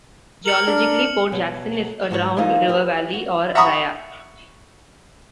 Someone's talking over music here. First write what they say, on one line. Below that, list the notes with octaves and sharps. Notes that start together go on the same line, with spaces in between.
Geologically, Port Jackson is a drowned river valley, or ria.
A#4 F6 C#7 F#7
D4
B2 F#3
G#2 F#4 A#4 C#5
E3 F3 A#3 D#4 F4
G4 B4 E5
F#4
E5 F#5 A#5 B5 C#6 D#6